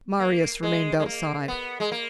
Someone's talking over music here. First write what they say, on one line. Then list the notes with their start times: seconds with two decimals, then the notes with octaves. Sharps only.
Marius remained outside.
0.20 A#3
0.63 G#3
1.00 G#3
1.06 A#3
1.48 B3
1.80 G#3
1.92 A#3